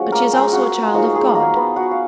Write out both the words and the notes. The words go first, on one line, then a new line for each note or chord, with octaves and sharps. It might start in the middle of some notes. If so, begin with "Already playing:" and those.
But she is also a child of God.
Already playing: F3 G#3 C#4 F#4 F#5
A#3 A#4
G#3 G#4
F#4
F3 G#3 D#4 F#4
G#3 G#4
A#3 A#4
B3 B4
F#4 F#5
F5